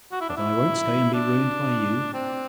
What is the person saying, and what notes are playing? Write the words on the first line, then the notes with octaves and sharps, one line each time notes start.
But I won't stay and be ruined by you.
F#4
E4
D4
E4
D4
C4